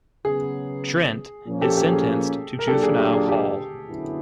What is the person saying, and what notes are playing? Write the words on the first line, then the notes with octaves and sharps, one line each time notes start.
Trent is sentenced to juvenile hall.
C#3 F#3 B3 G#4
A#2 F3 A#3 C#4
G4 A4
G4
G#4
A#4
A#2 F#3 A#3 D4 G4 A4
G#4
G4
G#4
G4
F#2 D3 F#3 B3 E4